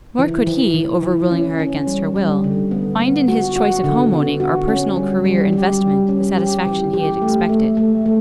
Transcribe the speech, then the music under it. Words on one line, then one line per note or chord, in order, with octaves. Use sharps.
Nor could he, overruling her against her will, find in his choice of home-owning or personal-career investment the satisfaction he had expected.
E3
E3
E3
E3
C#4
C#4
G3
G3
D3
B3
B3
F#4
F#4
D3
B3
F#4
C#4
G3
G3
G4
G3
C#4
G4
E3
G4
A3
A3
A3
A3